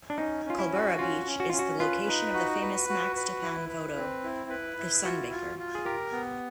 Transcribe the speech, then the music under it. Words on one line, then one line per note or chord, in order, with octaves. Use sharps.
Culburra Beach is the location of the famous Max Dupain photo "The Sunbaker".
D4
C#4 D#4
C#4 F4
E4
F#4
C#4 F4
C#4
F#4
C#4 F4
F#4
F4 B4
D#4
F#4
B4
F#4
B4
E4
B4
C4
E4
B4
E4
F4 F#4
F4
F4
G#4
G4 A#4
B3